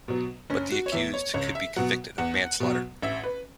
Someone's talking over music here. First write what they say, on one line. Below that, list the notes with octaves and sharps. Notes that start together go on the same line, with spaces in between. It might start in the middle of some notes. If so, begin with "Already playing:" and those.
But the accused could be convicted of manslaughter.
B2 F#3
F#1 C#4
F#4
C#5
E2 E3 E5
C#5
C#2 C#5
E5
B2 F#3 F#5
E2 F#5
B2 F#3
A1 E5
B4